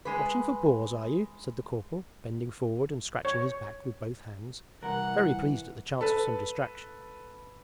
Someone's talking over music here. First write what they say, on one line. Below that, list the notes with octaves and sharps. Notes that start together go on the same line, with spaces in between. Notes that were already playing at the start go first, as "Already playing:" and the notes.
'Watching for boars, are you?' said the corporal, bending forward and scratching his back with both hands, very pleased at the chance of some distraction.
G#3 B4
C#5
C2 E3 A#4 F#5
A4 B4